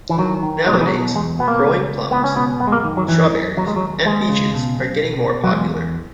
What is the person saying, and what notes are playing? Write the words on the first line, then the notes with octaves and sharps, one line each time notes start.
Nowadays, growing plums, strawberries, and peaches are getting more popular.
E3
D#3 F#3
D#3
B2 G#3
F#3
E3
F#3
B2
E2 G#3
B2 B3
A#3
C#2
C#2
C#2 B3
C#4
B2 B3
F#2 B3
G#3
A#3
D#3
F#3
F#2 E3
F#2
D#2 F#3
G#3
F#3
D#2
D#2 G#3
C#3
B2
B1
B2
B2
F#3
E2 G#3
E2